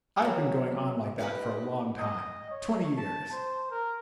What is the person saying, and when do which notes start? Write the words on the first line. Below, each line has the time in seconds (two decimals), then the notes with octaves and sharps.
I have been going on like that for a long time--twenty years.
0.22 C#3 F#3
1.18 D#4 G4 G#4 B4 D#5
1.99 D#5
2.51 C#5
2.97 A5
3.32 C5
3.71 A#4